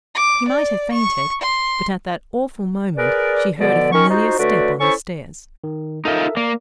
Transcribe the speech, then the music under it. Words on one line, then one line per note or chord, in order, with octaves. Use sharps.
She might have fainted, but at that awful moment she heard a familiar step on the stairs.
D6
D5
C#6
C6
G#4 A#4 B4 D5
B2 D3 F3 B3 A4 D5
D#3 C#4 D#4 A#4 C#6
D#4 F4 F#4 C5
D3 A3 F#4 B4 C#5 D5
C#4 E4 A4 C5 C#6
D#3
D#4 F4 A4 A#4 E5
A#3 D5